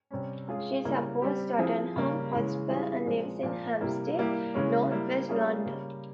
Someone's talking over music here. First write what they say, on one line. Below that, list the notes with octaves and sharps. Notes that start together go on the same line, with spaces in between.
She supports Tottenham Hotspur and lives in Hampstead, north west London.
C3 G3 C#4
G#3 C#4 F4 G#4
C#3 G3 A#3 E4
G3 C4 G4
F3 C4 E4 G#4
C#3 G3 A#3
C#3 E3 G#3
E3 G3 C4 F4 G#4
A#2 F3 G#3 C4
A#2 F3 A#3
C3 G3 A#3 E4
G3 A#3 E4 G4
C#3 E3 G#3 C#4
G3 A#3 E4
G3 A#3 C#4 F4 G#4
C#3 G3 A#3